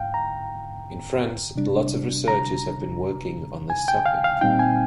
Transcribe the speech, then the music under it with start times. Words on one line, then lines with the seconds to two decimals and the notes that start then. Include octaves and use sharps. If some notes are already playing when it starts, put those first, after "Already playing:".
In France a lot of researchers have been working on this topic.
Already playing: G#2 F5 G5
0.14 A#5
1.56 C3 G3 D4
2.28 A#5
3.70 G#5
3.88 G5
4.06 F5
4.24 F5
4.41 A#2 G3 C4 D#4 G5
4.59 G#5